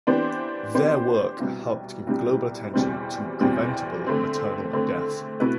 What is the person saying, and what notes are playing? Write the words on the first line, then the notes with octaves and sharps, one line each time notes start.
Their work helped give global attention to preventable maternal death.
E3 B3 D4 G4 C5
E3 B3 D4 G4 C5
C2 B2 G3
C2 B2 G3
E2 B2 G3 C4
E2 B2 G3 C4
D3 A3 C4
D3 A3 C4
B2 A3 E4 B4